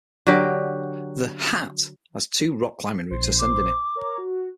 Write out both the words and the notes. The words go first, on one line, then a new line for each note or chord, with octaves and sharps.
The "Hat"' has two rock climbing routes ascending it.
D3 F#3 G4 A#4
A#1 C5 C6
D6
A#4 C#5 A#5
F#4